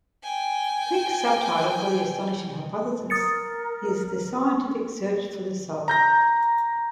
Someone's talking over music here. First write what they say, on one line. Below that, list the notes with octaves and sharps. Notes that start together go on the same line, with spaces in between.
Crick's subtitle for "The Astonishing Hypothesis" is "The Scientific Search For The Soul".
G5 G#5
A#4 D#6 A6 C#7
A#5 G6 A#6